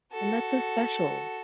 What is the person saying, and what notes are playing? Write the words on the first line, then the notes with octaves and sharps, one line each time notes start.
and that's so special.
F#4 A4